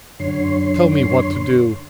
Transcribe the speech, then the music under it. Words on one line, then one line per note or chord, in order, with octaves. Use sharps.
Tell me what to do!...
F#2 D3 C#5 C6